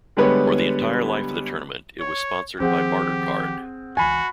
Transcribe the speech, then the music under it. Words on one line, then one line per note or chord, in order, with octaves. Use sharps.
For the entire life of the tournament it was sponsored by Bartercard.
D3 G3 G#3 B3 B4 C#5
C#5
D#3 F3 C4 G4 G#4 F#5
C#2 E3 F#4 G#5 B5